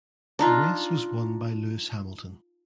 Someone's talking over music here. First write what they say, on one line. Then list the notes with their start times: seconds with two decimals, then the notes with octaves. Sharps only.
The race was won by Lewis Hamilton.
0.39 D4 D#4 F4